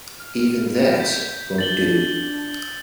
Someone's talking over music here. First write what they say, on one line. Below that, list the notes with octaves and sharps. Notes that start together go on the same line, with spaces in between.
Even that won't do.
F6
G6 B6
D4 A6 F#7 G7